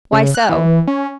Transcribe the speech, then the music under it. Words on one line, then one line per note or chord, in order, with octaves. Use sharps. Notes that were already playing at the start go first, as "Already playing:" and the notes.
"Why so?"
C#3
F#6
E3
C#4